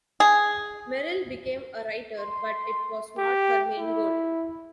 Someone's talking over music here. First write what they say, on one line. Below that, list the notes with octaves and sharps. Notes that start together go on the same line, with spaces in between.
Merrill became a writer, but it was not her main goal.
G#4
C6
G4
E4